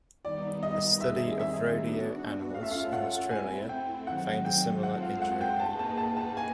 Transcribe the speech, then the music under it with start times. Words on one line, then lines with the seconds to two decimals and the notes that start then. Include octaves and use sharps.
A study of rodeo animals in Australia found a similar injury rate.
0.24 D#3 G3 B3 D#4 D5
0.63 D#5
1.01 D#3 G3 C4 D#4 G#4 E5
1.39 E5
1.78 B3 D4 F#4
2.54 A3 C#4 F4 A4 F5
2.63 E5
2.71 F5
2.93 F#5
3.30 A3 C4 E4 G#5
3.69 G5
4.07 D#3 F#3 A3 C4 D#4 F#5
4.45 G5
4.83 G#3 C4 F4 A4 C5 F#5
5.02 F5
5.22 F#5
5.41 G5
5.60 A#3 D#4 G#4 B4 A5
5.79 A5
5.97 A5
6.17 A5
6.37 G#5